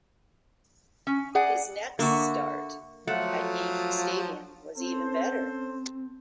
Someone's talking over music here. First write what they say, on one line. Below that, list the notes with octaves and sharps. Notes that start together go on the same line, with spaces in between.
His next start at Yankee Stadium was even better.
C#4
G#4 D5 F#5
D3 A#3 F#4 E5
F3 F#3 A3 F4 F#5
C4 C#4 A4 C5